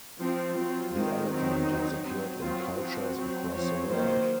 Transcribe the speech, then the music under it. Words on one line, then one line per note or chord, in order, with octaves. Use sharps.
The elephant has appeared in cultures across the world.
F3 C4 F4
F#3 C4 F4
D#3 G#3 C4
D#3 F#3 C4 D#4
F#3 C4
F#3 C4
F#3 C4 F4
F3 C4 F#4
F#3 C4
F3 C4 C#5
D#3 F#3 A#3 C5